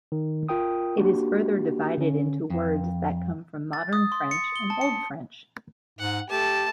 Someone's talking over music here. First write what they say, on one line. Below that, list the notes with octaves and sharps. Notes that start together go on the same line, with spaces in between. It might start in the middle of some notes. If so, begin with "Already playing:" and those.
It is further divided into words that come from Modern French and Old French.
D#3
F4 A#4 G5 D#6
A#3 D4 F#4 G4
D3 C#4
F2
A6
D#6
C6
C#7
G7
A5
C#7
G#2 F#5
A3 G4 A5